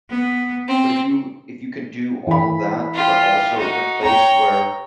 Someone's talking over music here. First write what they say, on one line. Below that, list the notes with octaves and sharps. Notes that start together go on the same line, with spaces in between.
but if you if you can do all of that, but also in a place where
B3
C4
E3 B5
F4 G4
D#4 F#4
C#5 G5 A#5